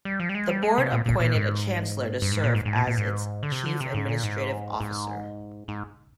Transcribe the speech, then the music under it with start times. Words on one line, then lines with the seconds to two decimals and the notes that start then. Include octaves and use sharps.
The Board appointed a Chancellor to serve as its chief administrative officer.
0.05 G3
0.20 F3
0.29 G3
0.35 G#3
0.49 G3
0.63 G#3
0.78 C3
0.92 A#2
1.06 A#2
1.20 A#2
1.35 G#2
2.22 G2
2.32 G#2
2.44 A#2
2.55 G#2
2.65 G#2
2.76 A#2
2.87 A#2
2.97 G#2
3.43 D3
3.52 C3
3.66 D3
3.80 C3
3.94 G#2
4.08 A#2
4.23 G#2
4.80 G#2
5.68 G#2